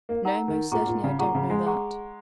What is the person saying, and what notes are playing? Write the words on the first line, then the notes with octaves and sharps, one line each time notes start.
"No, most certainly I don't know that."
A#3
D#4 A#4 F#5 A#5
D#3
A#2 G#4 F#5 A#5 C#6
A#2
C#3
A#2 G#4 F#5 A#5 C#6
C#3
G#3
G#4 F#5 A#5 C#6